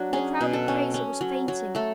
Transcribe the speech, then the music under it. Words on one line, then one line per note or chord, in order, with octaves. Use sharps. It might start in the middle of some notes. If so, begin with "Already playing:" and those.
The crowded crater was fainting.
Already playing: F#3 D4
C#4 G#4
B2
A4
C#4
C#4
F#3
F#3
A3 A4